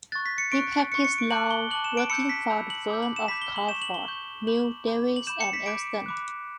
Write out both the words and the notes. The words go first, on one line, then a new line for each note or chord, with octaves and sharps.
He practised law, working for the firm of Crawford, Mill Davies and Elston.
C#6 F#6 A6
B6
C#7
C#6 F#6 D7
C#6 F#6 C#7
C#7
D7
A5 D6 F#6 F#7
G7
A5 D6 F#6 F#7
E7
D7
B5 E6 G6 C#7
B6
B5 E6 G6
F#7
B5 D6 G6
F#7
E7
B5 D6 G6 B6
G7
F#7
C#6 G6 E7
F#7
G7
C#6 G6
B5 D6 G6 F#7
B5 D6 G6
F#7
B5 D6 G6 E7
C#7
B6
B5 D6 G6 D7
B5 D6 F#6